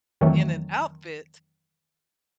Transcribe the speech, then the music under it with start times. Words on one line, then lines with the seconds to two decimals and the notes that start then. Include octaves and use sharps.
in an outfit
0.21 F2 D#3 E3 F#3 A3